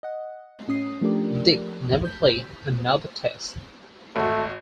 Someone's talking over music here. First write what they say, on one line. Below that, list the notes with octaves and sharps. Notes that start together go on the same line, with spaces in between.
Dick never played another Test.
D#5 F#5
A2 C#4 D#6 C7
F3 A3 D4 G4 A#4 D5
G6 B6
G#1 A3 F#4